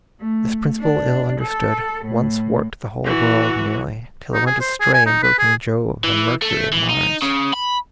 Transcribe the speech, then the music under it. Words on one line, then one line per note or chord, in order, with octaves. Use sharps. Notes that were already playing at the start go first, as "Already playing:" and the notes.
This principle ill understood once warped The whole world nearly, till it went astray Invoking Jove and Mercury and Mars.
A3
D4
A4
A2
E3 F#4
D#4
G#4
C5
G#4
G#5
D#4
B4
G#4
E3
A3
E3
D#4
C#3
B5